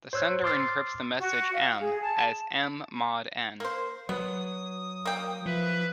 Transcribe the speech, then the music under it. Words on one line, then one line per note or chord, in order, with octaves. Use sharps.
The sender encrypts the message "m" as "m" mod "N".
C5 C#5 E6 F#6 G#6
C6 D6 E6 F6 A6 C7
F#4
F5
G#4
A5
A#3 C5
F#3 B3 D#6
A#3 G5
F3 B4 E5